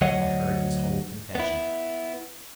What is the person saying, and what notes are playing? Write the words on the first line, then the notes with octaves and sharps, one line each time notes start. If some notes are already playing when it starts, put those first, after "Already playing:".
And I heard his whole confession.
D2 F#3 C#5 D#5 F#5
B3 E4